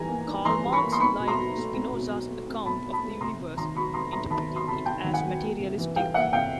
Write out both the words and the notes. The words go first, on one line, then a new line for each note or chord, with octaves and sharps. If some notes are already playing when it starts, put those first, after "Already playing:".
Karl Marx liked Spinoza's account of the universe, interpreting it as materialistic.
Already playing: E3 G3 G#5 A#5
A#3
D4
E3 A#5 C6
G3
B5 C#6
A#3
C6
C4 B5 C#6
B2
A#5 C6
F#3
A3
C4
B2
F#3
A3
C4
B2 A5 B5
F#3
A5 B5
A3
C3 A#5 C6
C3
D#3 A#5 C6
F#3 B5 C#6
C3 A#5 C6
C3 A#5 C6
D#3 A5 B5
F#3
C6
C3 A5 B5
C3 G5 A5
D#3
F#5 G#5
F#3
A#3
C3
E3
G3 F5 G5
A#3 E5 F#5
C3 F5 G5